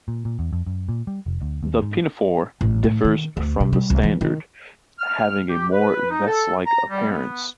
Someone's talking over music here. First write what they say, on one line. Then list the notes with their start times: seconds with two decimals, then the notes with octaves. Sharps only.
The pinafore differs from the standard, having a more vest-like appearance.
0.08 A#2
0.25 A#2
0.39 E2
0.53 F2
0.66 F#2
0.89 A#2
1.07 G3
1.26 F1
1.42 D2
1.63 D#2
1.82 G#2
2.61 A1
2.83 A2
3.05 D#3
3.37 D2
3.60 C3
3.73 G3
3.90 C2
4.03 E3
4.21 D#3
4.99 F6
5.49 G4
5.72 B4
6.10 D#4
6.26 A4
6.67 A#5
6.89 G3
7.09 B3